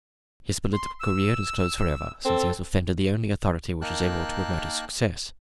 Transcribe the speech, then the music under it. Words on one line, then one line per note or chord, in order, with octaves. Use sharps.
His political career is closed forever, since he has offended the only authority which is able to promote his success.
C6
E6
C4 A4
A#3 D#4 A#4 G5 A5 F#6